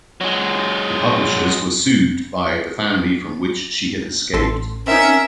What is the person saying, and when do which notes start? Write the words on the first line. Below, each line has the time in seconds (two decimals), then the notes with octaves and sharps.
The publishers were sued by the family from which she had escaped.
0.21 F#3 G#3
4.33 A1 A4 C6
4.87 C4 C#4 D#4 A#4 E5